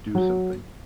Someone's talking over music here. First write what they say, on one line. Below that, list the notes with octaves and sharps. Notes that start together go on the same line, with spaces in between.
Do something!
F#3